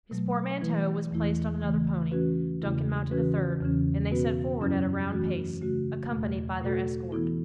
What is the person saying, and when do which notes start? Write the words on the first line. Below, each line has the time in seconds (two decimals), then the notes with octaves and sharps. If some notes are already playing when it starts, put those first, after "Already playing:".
His portmanteau was placed on another pony, Duncan mounted a third, and they set forward at a round pace, accompanied by their escort.
0.11 B2 F#3 A3
0.61 E3 A3 E4 B4
1.11 E2 E3 A3 E4
1.61 C#3 E3 A3
2.11 E3 C#4 F#4 B4
2.62 E2 C#3 A3 E4
3.11 C#3 E3 C#4 F#4 B4
3.61 E2 C#3 E3 C#4
4.11 B2 B3 F#4 B4
4.61 F#2 F#3 C#4 E4
5.11 E3 A3 F#4
5.61 C#3 A3 F#4
6.11 E2 B2 A3
6.61 B2 A3 F#4 A4
7.11 E3 B3 E4 A4